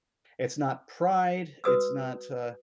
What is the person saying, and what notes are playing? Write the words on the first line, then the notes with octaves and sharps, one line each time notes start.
it's not pride, it's not, uh
F#4 B4 D#6 E6